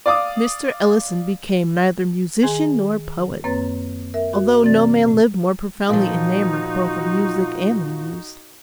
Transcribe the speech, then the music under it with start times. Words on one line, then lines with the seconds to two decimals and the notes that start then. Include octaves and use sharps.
Mr. Ellison became neither musician nor poet; although no man lived more profoundly enamored both of Music and the Muse.
0.06 D5 F5 D6 D#6
2.42 D#3 G#4 G#5 C6 G#6
3.44 F#2 A#3 C4 B4 C#5 A6
4.14 A#4 E5
4.33 F#4
4.62 C3 E3 C4 D5 A6
5.04 A#2 A3
5.89 A#2 F3 D#4 F#4